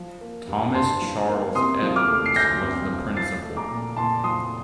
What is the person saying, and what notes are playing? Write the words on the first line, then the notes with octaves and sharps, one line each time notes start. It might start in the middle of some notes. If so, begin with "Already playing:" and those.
Thomas Charles Edwards was the Principal.
Already playing: F3
A#3
G2
G2 A5 C6
F3
A#3
C3 C6 D#6
F3
D6 F6
A3
C7
D2 G6 A#6
C3
F3
F3 A6 C7
A3
A#5 D6
A#2
A#2 A5 C6
F3 C6 D#6